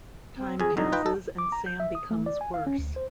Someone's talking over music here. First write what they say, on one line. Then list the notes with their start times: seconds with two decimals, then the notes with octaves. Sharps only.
Time passes and Sam becomes worse.
0.37 C4
0.60 F2 G#4 G#5
0.77 C2 F2 D3 D#4
0.92 F4 B4 G5
1.06 A4
1.38 D6
1.52 A#5
1.66 G6
1.80 E5
1.95 D#6
2.11 A3
2.26 D5
2.41 G#5
2.54 F5
2.67 C#4
2.78 D2
2.96 C5